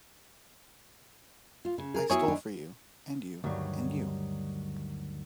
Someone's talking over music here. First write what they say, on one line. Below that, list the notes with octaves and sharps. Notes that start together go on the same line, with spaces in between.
I stole for you, and you, and you.
F4
C#3
G#4 A#4
B3 C#4 E4 F#4 G#4 C#5
D4 D#4 B4
D2 G2 D#3 F#3 G3